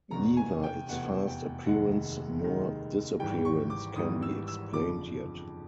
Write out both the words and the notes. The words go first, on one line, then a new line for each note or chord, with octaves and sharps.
Neither its fast appearance nor disappearance can be explained yet.
F1 E2 B2 A#5
G#5
G5
F1 E2 B2 F#5
G5
F1 D#2 D#3 G#3 F#5
F1 D#2 D#3 G#3
G#1 G#2 E3 G3 G5
C#6
D6
G#1 G#2 E3 G3 D#6
E6
E6
G1 F2 C#3 F3 D6